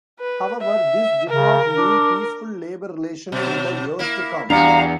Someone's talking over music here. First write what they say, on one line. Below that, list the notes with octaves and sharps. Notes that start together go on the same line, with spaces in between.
However, this did not mean peaceful labor relations in the years to come.
B4
E5
C#3 A#4
D4
B2 F#3
A#3 E4
E2 G3 D4 F#4 F5 A#5 C#7